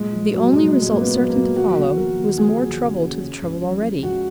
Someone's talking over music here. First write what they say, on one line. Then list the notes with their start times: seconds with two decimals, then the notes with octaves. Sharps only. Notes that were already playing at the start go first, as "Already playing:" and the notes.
The only result certain to follow, was more trouble to the troubled already.
Already playing: A#2 G#3
0.13 F3
0.33 B1 F#3
0.53 B1 G#3
0.74 A#2
0.82 G#3
0.91 B1 A#3
1.01 B3
1.15 B1
1.30 A#3
1.36 B1
1.56 D#2 F#4
1.77 D#2
1.97 F3 A#4
2.17 D#2
2.38 F3 G#4
2.59 D#2
2.79 C#3
3.01 C#3
3.20 C#3
3.42 C#2
3.62 F3
3.82 F3
4.03 C#2 F#4